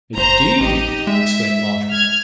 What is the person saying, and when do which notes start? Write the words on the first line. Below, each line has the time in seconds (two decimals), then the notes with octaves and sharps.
"Indeed!" exclaimed Marchmont.
0.17 G1 C5 A#5
0.60 A1 D#4 G4 D#5
1.07 G#3 E5
1.91 F6 G#6